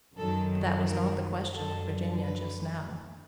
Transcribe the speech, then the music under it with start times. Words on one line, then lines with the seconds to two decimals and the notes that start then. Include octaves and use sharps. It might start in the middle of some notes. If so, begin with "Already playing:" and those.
But that was not the question with Virginia just now.
0.18 F#2 D#3 F#3 A4
0.86 A#4
1.54 F#2 D3 F#3 A4
2.21 B4